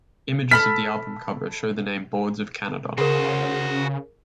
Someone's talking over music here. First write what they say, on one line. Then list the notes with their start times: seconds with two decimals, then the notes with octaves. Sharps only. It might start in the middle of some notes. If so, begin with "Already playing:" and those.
Images of the album cover show the name "Boards of Canada".
0.51 A4 B5 F6 B6
2.98 C#3 F#4 G#4 A#4 C5